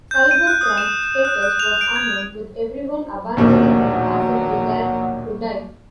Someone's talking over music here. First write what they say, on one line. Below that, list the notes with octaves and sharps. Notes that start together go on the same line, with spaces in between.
Cybertron's status was unknown, with everyone abandoning it as it began to die.
G6
D#7
F#6
D#6
E7
E7
F#6
F#6
F7
D7
G#6
A#1 D#2 B2 F#3 A3 A#3